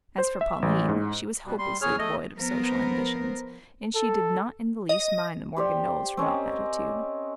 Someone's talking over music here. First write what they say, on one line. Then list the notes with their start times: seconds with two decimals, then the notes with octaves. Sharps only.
As for Pauline, she was hopelessly devoid of social ambitions and she did not in the least mind the Morgan Knowles' remote attitude.
0.18 C5
0.41 E5
0.62 A1
0.88 G#2
1.46 B2 G3
1.59 G3 C6
1.81 E2 G#4 C#5 F6
1.99 A3 D#5
2.36 F3 B3 A#4 C5
3.95 A4
4.89 D#5
5.57 G4 C5 D5
6.17 C4 C#4 A#4 D#5